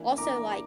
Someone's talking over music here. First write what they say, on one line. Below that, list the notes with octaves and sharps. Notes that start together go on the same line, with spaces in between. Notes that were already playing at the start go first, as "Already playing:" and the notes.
also, like,
Already playing: E3 A#3 D4
E3 A#3 D4 A#5 D6